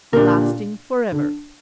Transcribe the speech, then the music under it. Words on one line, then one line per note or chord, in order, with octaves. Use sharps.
Lasting forever.
A#2 D3 D4 G4 A#4
D3